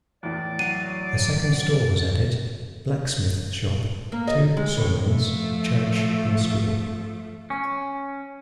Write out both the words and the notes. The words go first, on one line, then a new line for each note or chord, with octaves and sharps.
A second store was added, blacksmith shop, two sawmills, church and school.
E2 A2 D5
F#3 C7 D#7
A#3
D#5
G#3
A2
F3 A3
C#4